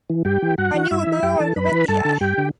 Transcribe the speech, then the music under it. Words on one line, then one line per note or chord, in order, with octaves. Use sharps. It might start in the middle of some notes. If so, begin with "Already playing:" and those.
I knew a girl in Carinthia.
E3
G2 G4 G5
E3
G2 F#4 F#5
E3
G2 E4 E5
E3
F#2 G4 G5
E3 A4 A5
F#2 B4 B5
E3
G2 A4 A5
D3
G2 G4 G5
D3